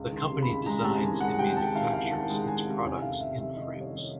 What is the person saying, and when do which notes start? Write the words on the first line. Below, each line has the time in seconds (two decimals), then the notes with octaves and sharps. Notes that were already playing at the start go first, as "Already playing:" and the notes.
The company designs and manufactures its products in France.
Already playing: C#2
0.12 D#3
0.18 C6
0.30 C3
0.43 B5
0.48 C#2
0.66 G#3 A#5
0.84 C3 A5
1.03 D#3 G#5
1.21 G#3 F#5
1.39 C3 G5
1.57 G#3 A5
1.75 D#3 F5
1.93 D#3 F5
2.11 D#3 A5
2.30 G#3
2.48 G#3 G#5
2.66 C3
2.84 F1
3.02 D#3 F5
3.20 F1 E5
3.38 F1 E5
3.57 D#3 D#5
3.75 G3
3.81 C#5
3.93 D#3